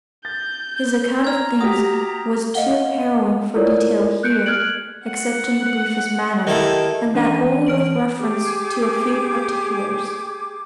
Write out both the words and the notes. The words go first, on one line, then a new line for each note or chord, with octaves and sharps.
His account of things was too harrowing for detail here, except in the briefest manner, and that only with reference to a few particulars.
G6 A6
A#5 F6 G#6
F#4 G4 D#6
D#5 F5 F#5 G7
E4 F4 A4 A#4 C#5 D5
F#6 G6 C#7 D7
F6 F#6 G#6 D7 F#7
F#5
D#3 E4 G4 A4 D#5
E3 C#4 D4 D#7
E3 F6 D7 F#7
G4 G#4 D6